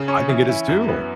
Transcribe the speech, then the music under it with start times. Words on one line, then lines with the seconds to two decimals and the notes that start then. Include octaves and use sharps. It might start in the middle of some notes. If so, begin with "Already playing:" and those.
I think it is too.
Already playing: C#3
0.08 C#4
0.29 E3
0.49 E4
0.69 F#2
0.88 B3